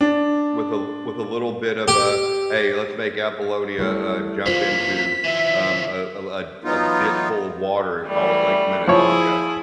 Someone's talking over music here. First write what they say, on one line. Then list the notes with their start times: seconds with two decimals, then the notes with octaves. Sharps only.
with a with a little bit of a, "Hey. Let's make Apollonia, uh, jump into, um, a a l a ditch full of water and call it Lake Minnetonka,"
0.01 D4
1.88 G4
3.79 G3 A3 E4
4.46 E3 A#3 F4 C5 B6
5.24 E3 F3 E5
6.64 E3 F#3 B3 D#4 F4
8.06 E3 G3 A3
8.88 F3 E4 G#4 C#5